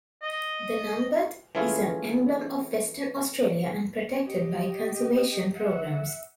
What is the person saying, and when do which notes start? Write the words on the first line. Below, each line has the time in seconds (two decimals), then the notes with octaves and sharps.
The numbat is an emblem of Western Australia and protected by conservation programs.
0.22 D#5
1.55 E3 A3 C#4 E4 F4 G#4
4.26 G4 D#5
5.55 E5 F#5